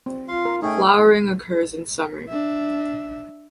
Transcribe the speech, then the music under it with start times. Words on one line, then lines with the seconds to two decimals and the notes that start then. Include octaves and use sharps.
Flowering occurs in summer.
0.06 C4
0.28 F4 F5 C6
0.45 A#4
0.62 A3 C#4 D#4 G#4 G5
2.29 D4 E5